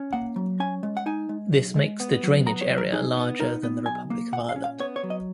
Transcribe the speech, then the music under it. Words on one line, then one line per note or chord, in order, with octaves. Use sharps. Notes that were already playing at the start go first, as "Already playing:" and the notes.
This makes the drainage area larger than the Republic of Ireland.
Already playing: C#4
A#3 F#5
F#3
C#4 G#5
G#3
F#5
D#4 G#5
G#3
B1
G#3
B3
F#3
B3 A#5
C#5
F#3
A#4
D#4 G#4
B3
D#4 A#4
B3
B1 G#5
A#3
A#2 F#5
F5
C#4
F5
B3 C#5
C#5
F#3
D#5